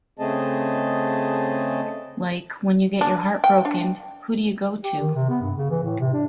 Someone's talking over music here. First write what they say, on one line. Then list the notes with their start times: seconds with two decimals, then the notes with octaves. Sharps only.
Like, when you get your heart broken, who do you go to?
0.19 C#3 A3 C4 G#4 D#5 A5
3.01 D4
3.44 G5
3.65 D4
4.83 G4
4.99 D#3
5.15 C3
5.29 B3
5.42 G2
5.56 C#3
5.70 E3
5.84 A2
6.00 C3
6.13 D4